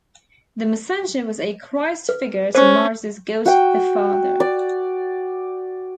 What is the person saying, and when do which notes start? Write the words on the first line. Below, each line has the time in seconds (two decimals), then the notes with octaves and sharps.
The Messenger was a Christ figure to Morris's God the Father.
2.09 B4
2.55 C#4 C5
3.45 F#4 G5
4.40 D5